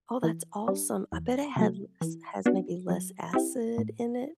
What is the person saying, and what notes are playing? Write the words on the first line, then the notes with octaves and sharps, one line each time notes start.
Oh, that's awesome. I bet it has less has maybe less acid in it.
E3
G3 D4
E2
C3 F#3 A3
E3
B3 D4 F#4
F#3
C4 E4 G4
A2